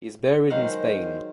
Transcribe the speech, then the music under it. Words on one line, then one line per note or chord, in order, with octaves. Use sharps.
He is buried in Spain.
D#3 F#3 G#3 C5 F5 F#5